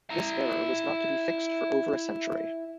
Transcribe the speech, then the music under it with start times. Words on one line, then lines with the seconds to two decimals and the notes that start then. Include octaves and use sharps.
This error was not to be fixed for over a century.
0.10 E4 A#5